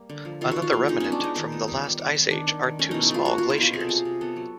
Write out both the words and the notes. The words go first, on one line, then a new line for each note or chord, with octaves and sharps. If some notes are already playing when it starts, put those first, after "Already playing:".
Another remnant from the last Ice Age are two small glaciers.
Already playing: G3 A#3
D3
F3
D#3 F4
D#3 F#4
F4
A#3
G#3 D#4
B3 C#4
D4
G#3 D#4
D#3 D#4
B3
G3
D#3
D#3
D#3
D#3 D4
D#3
D#3
A3 C#4
B2 D#4
E4
A3 F4
A#3 F#4
A#3 F4
E4
B2 F4
C3 G#4
A4
C3 G#4
C3
B3 A4
F#3